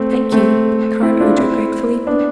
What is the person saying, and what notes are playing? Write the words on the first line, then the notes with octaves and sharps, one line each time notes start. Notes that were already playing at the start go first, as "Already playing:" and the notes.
"Thank you!" cried Ojo gratefully.
Already playing: A3 C4
A3 C4
C4 E4
D4 F4
C4 E4
B3 D4